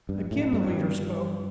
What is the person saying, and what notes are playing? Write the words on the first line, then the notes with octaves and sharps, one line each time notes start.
Again the leader spoke.
G2
A2
G2